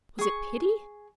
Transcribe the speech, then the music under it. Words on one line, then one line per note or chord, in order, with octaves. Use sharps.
Was it pity?
G#4 C#6